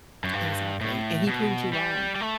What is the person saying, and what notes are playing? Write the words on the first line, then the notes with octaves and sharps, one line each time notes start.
Exactly, and he proved you wrong,
F#2
G2
A2
B2
G3
G3
A3